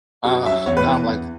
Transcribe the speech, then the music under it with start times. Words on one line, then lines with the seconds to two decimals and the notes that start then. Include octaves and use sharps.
Ugh, now I'm like
0.25 F#2 F#4
0.46 F#3 E5
0.50 C#4
0.66 E2 C#5
0.77 B4
0.87 E3 B3
1.09 E2